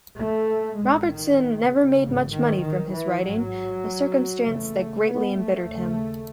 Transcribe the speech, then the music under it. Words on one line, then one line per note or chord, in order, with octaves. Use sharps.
Robertson never made much money from his writing, a circumstance that greatly embittered him.
A3
A1 A2 G#3
D#3
C#3
A1 G#2
D#3
D#3
E3
A1 G#2 F#3
F#1 E2 C#3 A3
B3
A3
D#2 C#3